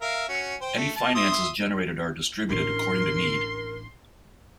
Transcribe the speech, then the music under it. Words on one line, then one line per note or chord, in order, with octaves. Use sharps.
Any finances generated are distributed according to need.
A#4 E5 F5
C#4 F#4
C5 G5
A3
A5
E5 C6 D#6
A1 D4 A#4 C6